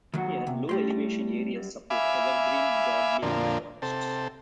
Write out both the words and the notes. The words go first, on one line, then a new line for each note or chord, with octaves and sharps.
Here low elevation areas support evergreen broadleaved forests.
D#2 D#3 F#3 F#4
C3
A2 G3 G4 C6
F#2
E5 F5 G#5 B5 D6
F2 A#2 D3
C3 A4